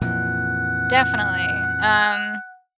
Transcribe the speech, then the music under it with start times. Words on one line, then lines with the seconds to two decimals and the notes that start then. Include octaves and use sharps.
Definitely, um,
0.01 F2 A#2 E3 F#5